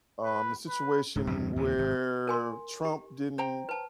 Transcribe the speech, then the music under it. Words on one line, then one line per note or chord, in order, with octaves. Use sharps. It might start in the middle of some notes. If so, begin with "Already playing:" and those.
um, the situation where Trump didn't
B4
B4
D1 G#2
E2 G2 C#3 E3
D#2 A#2 C#3 E3
G#1
A#4 G#5 C6
G4
C5 G5 A#5
B4 A5